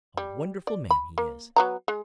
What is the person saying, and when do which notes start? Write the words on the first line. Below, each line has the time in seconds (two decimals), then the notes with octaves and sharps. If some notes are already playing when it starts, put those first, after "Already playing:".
A wonderful man he is.
0.17 G3
0.67 D5
0.90 B5
1.18 A#3
1.56 F#3 B3 A#5
1.88 G#3